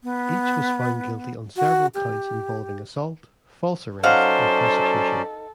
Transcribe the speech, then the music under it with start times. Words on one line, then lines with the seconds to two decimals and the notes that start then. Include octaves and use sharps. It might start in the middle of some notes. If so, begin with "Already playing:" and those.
Each was found guilty on several counts involving assault, false arrest, and prosecution.
0.03 B3
1.56 F#4
1.94 G4
4.03 F#3 C#4 D#4 A4 C5 D5 F5 F#5